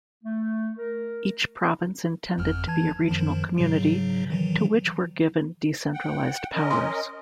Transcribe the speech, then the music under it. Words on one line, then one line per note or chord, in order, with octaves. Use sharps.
Each province intended to be a regional community, to which were given decentralized powers.
A3
A#4
G1 F2 F6
E3 A5 G#6
F#2 D#3 F3
G#2 C#3 F#3
D#3 E3 F#3
F#5 G5
C#4 A#4 D#5
C6